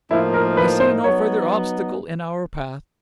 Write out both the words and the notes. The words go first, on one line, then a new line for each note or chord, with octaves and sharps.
I see no further obstacle in our path.
A2 F3 A#3 D#4 E4
A#4
B4
C5
F#3 B3 D#4 C#5